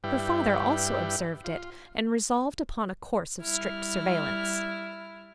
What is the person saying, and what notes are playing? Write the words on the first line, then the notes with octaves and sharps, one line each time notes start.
Her father also observed it, and resolved upon a course of strict surveillance.
G2 G3 E4 B4 G5
F4
G3 E4 F6